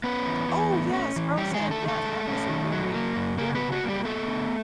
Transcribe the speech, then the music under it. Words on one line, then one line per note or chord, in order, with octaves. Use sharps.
Oh, yes, Frozen, yes, that was a very very great movie.
B3 C#4 B4
E3
E3
A3
C#4
E3
G3 C#4 G4
G#3 G#4
D#3
A3 A4
D#3
A3 A4
G#3
C#4
D#3
F#3
A#3
F#2
C#3 A#3 A#4
B3 B4
F#3
F#4
A#3
G3 G4
A3 B3 A4
D3